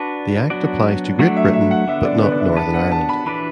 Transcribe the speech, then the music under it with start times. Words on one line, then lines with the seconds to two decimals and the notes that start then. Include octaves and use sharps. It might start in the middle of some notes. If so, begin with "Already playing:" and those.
The Act applies to Great Britain but not Northern Ireland.
Already playing: D4 F#4 B4 D5 A5
0.50 F#3 B3 D4 F#4 D5
1.19 F#3 A3 D4 F#5
1.36 E5
1.53 E5
1.71 F#5
1.87 D3 B3 D4 E5
2.05 D5
2.23 B4
2.32 D5
2.40 E5
2.56 B3 D4 B4 A5
2.74 F#5
2.92 A5
3.09 B5
3.26 E3 D4 B4 D5 B5